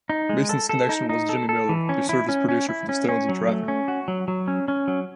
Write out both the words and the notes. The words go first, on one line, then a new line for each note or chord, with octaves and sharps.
Mason's connection was Jimmy Miller, who served as producer for the Stones and Traffic.
D#4
G#3
A4
A4
D#4
D#4
A4
A4
E3
C#4
E4
C#4
C#4
E4
C#4
C#4
F#3
A3
C#4
F#4
F#3
F#3
C#4
C#4
F#3